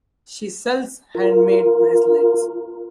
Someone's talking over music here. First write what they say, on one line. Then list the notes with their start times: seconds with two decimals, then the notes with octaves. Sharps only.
She sells handmade bracelets.
1.15 F4 A#4